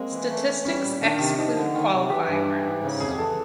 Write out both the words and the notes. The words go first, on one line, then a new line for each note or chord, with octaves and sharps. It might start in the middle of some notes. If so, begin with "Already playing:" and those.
Statistics exclude qualifying rounds.
Already playing: G#3 A#3 C4
E3
A3
E3
G3 C#4
A#2
D#3 D4
C3
F3 D#4
D3
D#3
C3
E3 G4
G2
E3
G#2
C#3
F2 G#4
E3 A4